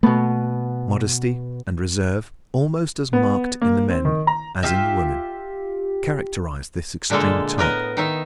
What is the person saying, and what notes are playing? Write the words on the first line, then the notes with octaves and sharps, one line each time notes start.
Modesty and reserve, almost as marked in the men as in the women, characterize this extreme type.
B2 A3 B3
B3
A#3
C4
D#3
A#5
F4 G4 E5
A#2 D3 G#3 A#3 A4
A2 B3 A#4 D#5
D#3 D#4 E5